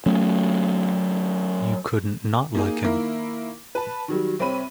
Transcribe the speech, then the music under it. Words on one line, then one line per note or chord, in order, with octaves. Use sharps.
You couldn't not like him.
F#3 A3 C#4
A#3 D#4 G#4
D#3 A#3 E4 A#4
B4 A5
D#3 F#3 G3
C2 C4 C#5 B5 D#7